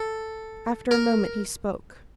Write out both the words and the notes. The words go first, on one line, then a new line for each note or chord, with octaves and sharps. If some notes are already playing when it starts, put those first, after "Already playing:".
After a moment he spoke.
Already playing: A4
A#4